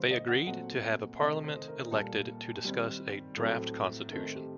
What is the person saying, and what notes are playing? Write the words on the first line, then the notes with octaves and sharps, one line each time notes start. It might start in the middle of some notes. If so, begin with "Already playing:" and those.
They agreed to have a parliament elected to discuss a draft constitution.
Already playing: D3 G3 A#3 C5
D#5
F#5
A#2 F#3 A3 C4 F#5
C3 D#3 A3 D#5
C5
A#4
A#2 G3 A#3 A4
D#3 G3 C4 G4
A2 F#3 A3 C4
D#3 A3 C4 A#4
A4
G4